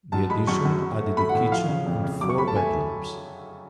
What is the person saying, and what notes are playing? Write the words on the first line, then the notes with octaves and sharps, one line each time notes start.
The addition added a kitchen and four bedrooms.
F#2 A5
G#3 B5
F#2 C#6
F#2
F#3
A3
A3 B5
F#5
A2
F3 F5
C#3
F2
C#3
F#2 D6
C#6
A3 B5
A5
A3 G#5